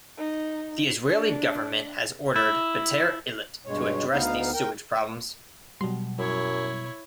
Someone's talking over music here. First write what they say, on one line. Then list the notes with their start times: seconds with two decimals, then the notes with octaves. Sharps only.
The Israeli government has ordered Beitar Illit to address these sewage problems.
0.18 D#4
1.10 D4
2.36 E4
3.66 G2 B2 G#3 C#5
4.13 D2 B3 D#4 F5
4.54 A#4 G5
5.81 B2 F#3 G3 C6
6.18 F#2 E4 C#5